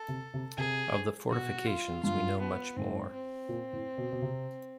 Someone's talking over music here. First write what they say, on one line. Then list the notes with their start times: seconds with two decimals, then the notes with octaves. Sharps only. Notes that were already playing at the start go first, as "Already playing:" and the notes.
Of the fortifications we know much more.
Already playing: A4
0.08 C3
0.34 C3
0.57 C3 G#4
1.30 B2 F#4
1.67 F4
2.04 G2 F4
2.40 B3
2.76 G#2 C4
3.13 C4
3.49 A#2
3.73 A2
3.98 B2
4.12 B2
4.22 C3